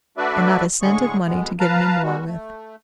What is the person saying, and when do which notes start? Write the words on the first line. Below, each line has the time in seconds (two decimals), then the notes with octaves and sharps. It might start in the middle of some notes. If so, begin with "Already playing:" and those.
And not a cent of money to get any more with!
0.17 A3 D4 F#4 B4 D5 E5
0.81 A2 D3 G#3 G#4 C#6
1.25 F2 B2 G#3 B3
1.60 B4 F5 A5 A#5
2.03 B2 G3 G#3 F#4
2.24 A3